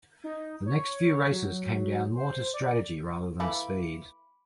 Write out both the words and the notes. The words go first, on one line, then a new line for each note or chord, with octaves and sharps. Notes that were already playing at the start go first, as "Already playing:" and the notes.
The next few races came down more to strategy rather than speed.
D#4
C#5
F#3
C5
D5
E3 A#3 A4 B5 D6